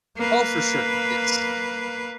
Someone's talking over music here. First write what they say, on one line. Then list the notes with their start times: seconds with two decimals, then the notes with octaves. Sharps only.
Oh, for sure, yes.
0.17 A#3 B4